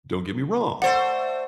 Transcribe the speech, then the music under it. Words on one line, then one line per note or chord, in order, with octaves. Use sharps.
don't get me wrong,
A3 C5 D5 F#5